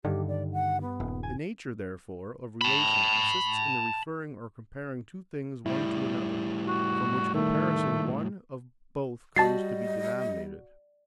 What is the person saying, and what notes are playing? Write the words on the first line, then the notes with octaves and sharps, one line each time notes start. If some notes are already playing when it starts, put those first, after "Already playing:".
The nature therefore of relation consists in the referring or comparing two things one to another; from which comparison one of both comes to be denominated.
G2 D3 D#3 G4
D5
F#5
B3
D#1
G#5
A5 B5
A2 G3 E4
F#4
D#3 A3
G3 F#4 D#5 A5 A6 C7